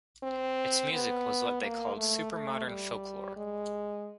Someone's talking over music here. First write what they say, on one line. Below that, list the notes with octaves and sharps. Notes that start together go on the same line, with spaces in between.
Its music was what they called "supermodern folklore".
C4
B3
A#3
A3
A3
G3
G#3